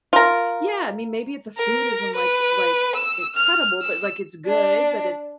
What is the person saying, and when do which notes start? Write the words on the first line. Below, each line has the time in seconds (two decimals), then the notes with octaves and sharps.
Yeah, I mean, maybe if the food isn't, like like, incredible, but, like, it's good, but it
0.13 F4 A#4
1.57 A#4
2.15 B4
2.95 E6
3.36 F6
3.82 E6
4.46 D4